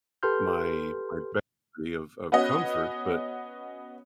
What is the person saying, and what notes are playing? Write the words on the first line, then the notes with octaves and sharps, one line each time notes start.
my my boundary of of comfort, but
G4 A4 B4 C6 F6 G6
B3 C#4 F#4 D#5